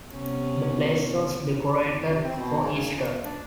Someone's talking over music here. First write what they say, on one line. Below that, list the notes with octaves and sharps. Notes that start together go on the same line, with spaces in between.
The place was decorated for Easter.
C3 B3 C#4
E2
F2
C3
C4
B2
G#2
C#3
F2
A#2
D4